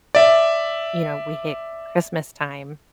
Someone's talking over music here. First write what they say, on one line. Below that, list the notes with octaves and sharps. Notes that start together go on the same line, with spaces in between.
you know, we hit Christmastime
D5 E5